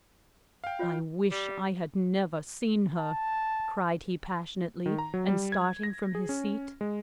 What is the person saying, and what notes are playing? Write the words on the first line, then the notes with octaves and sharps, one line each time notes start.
"I wish I had never seen her," cried he passionately, and starting from his seat.
F5 G5
F4 C#5 D#5
G3
A5
D#3
A#5
F#3
G3
G#6
A#6
G#4
C#4
G#3